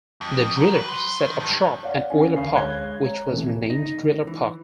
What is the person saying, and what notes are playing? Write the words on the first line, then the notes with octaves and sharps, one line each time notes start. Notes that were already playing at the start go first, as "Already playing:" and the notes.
The Drillers set up shop at Oiler Park, which was renamed Driller Park.
F2
F#3
B4
C6
D#3
G2
C#5 D5 F5 F#5
C#4 G#5
D2 A#4 F5 B5 C#6 C7
G#3 C#5 F#6 G#6 G7
C#5 A#5
C3 E3 A3
D#4
C#2
E3